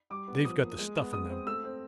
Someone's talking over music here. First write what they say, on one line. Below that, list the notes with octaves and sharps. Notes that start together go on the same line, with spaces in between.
They've got the stuff in them!
G3 D6
B3
F3 D#6
A#3
G#3
B3
G#3 D#6
C4
A3 E6
C4